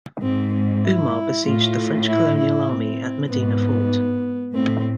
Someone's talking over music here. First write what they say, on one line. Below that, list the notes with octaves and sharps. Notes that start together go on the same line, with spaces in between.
Umar besieged the French colonial army at Medina Fort.
G#2 C4
C4
E4
A2 F4
E4
E4
C4
G#2 B3
A2 C4